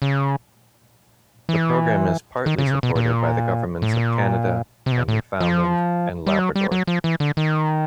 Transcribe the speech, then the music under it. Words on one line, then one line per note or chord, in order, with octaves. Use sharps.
The program is partly supported by the governments of Canada and Newfoundland and Labrador.
C#3
E3
D#3
C#3
C3
C#3
B2
A#2
A2
A#2
C3
B2
A2
F3
G3
F#3
G3
F#3
F3
E3
D3
D#3